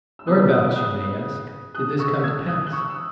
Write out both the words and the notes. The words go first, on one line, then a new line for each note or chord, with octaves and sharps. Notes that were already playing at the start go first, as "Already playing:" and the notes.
Whereabouts, you may ask, did this come to pass?
E6
C#3 G#3 B3 D#6 F#6
D#6 F#6
D#6 F#6
D#6 F#6
C#6 E6
E6 G#6
D#6 F#6
F#6
C#6 E6
E6